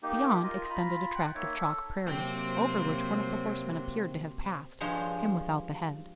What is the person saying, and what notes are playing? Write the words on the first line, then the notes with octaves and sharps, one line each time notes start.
Beyond, extended a tract of chalk prairie; over which one of the horsemen appeared to have passed--him without the head.
A#3 D#4 G4
F4 A#4 D#5
F4 A#5 B5
F#5 G5
A#3 D#4 C#5 E5
A4
C3 F#3 A#3 C5 G5
G2 F3 G#3 C5 C#5